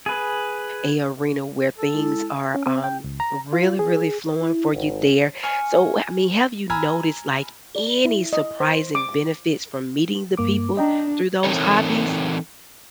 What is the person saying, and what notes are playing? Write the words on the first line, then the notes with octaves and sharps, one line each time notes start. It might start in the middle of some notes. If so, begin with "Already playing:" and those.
a arena where things are, um, really, really flowing for you there. So, wha I mean, have you noticed, like, any surprising benefits from meeting the people through those hobbies
G#4 B4
A4
G#3 E4
C#4
C4
G5
C#2
A#5
F4
G#4
E4
G#1
G#5 C#6 F6
G#5 A#5 B5 E6 F6 G#6
D5
E4
D#5
C5
D6
G2 A#3 D6
D4 D#5 G5 A#5
E3 C4 D#4 A4 A#4 C#5